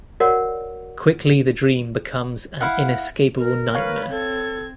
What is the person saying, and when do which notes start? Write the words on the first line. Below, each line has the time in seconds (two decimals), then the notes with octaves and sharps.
Quickly the dream becomes an inescapable nightmare.
0.20 F#4 A#4 C#5 D5 F#5
2.61 E4 F5 F#5
3.37 A#4
3.75 B4 C#5 F5 B5
4.10 C4 A4 G#6